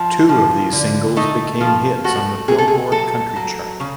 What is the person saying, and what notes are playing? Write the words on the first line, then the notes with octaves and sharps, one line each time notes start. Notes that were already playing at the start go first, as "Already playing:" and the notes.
Two of these singles became hits on the "Billboard" country chart.
Already playing: F3
F3
D3
A3 D#4
F3 F4
A3 F#4
C3 G#4
A4
G#4
F#3 A4
F#3
C#3